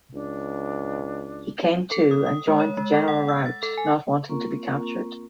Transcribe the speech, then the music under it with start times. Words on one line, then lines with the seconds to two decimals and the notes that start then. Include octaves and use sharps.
He came to and joined the general rout not wanting to be captured.
0.13 C#2 D4
1.92 A4
2.11 D#6
2.26 D#6
2.48 G#3
2.60 C#5
2.77 G#3
2.94 A4
3.08 F#5
3.29 E6
3.46 A6
3.63 A4
3.78 G#5
4.29 A#3 C4 F4 A#4 A#5 C#6